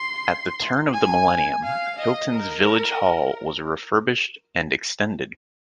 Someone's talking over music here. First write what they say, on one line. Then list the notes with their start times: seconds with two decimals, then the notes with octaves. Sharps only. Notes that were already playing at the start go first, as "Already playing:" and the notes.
At the turn of the Millennium, Hilton's village hall was refurbished and extended.
Already playing: C6
0.93 G#5
1.64 F5
1.99 D#5
2.34 A#4